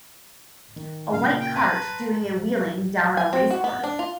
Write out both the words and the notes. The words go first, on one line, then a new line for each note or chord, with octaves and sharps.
A white cart doing a wheeling down a race course.
D#3
A#2 C#3 F5
G5
B4 A5 A#5 C6
G#5
C4
F#4
B3
D4
F4